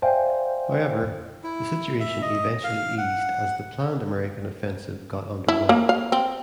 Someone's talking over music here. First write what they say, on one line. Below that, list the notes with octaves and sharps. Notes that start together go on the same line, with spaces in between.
However, the situation eventually eased as the planned American offensive got underway.
C5 D5 E5 F5 G5 G#5
E4
E5
D#5
F5
F#5
E4
A#3
F5
C4